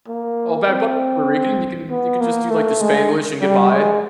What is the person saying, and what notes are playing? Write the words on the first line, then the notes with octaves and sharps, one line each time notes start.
Oh, Bad Bu Puerto Rican, you can you can just do, like, the Spanglish and get by.
A#3
C4
B3
A#3
A3
G#3
G3
G#3